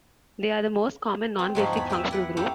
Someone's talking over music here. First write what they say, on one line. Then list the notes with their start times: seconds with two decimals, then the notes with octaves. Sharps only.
They are the most common non-basic functional group.
1.39 C4
1.55 G#2 F3 F#3 G#3
1.73 E2 B5
1.89 G4 G#4 A#4 D5 E5
2.11 E4 B4 F#5
2.37 F#2 E4 G4 A4 F5 F#5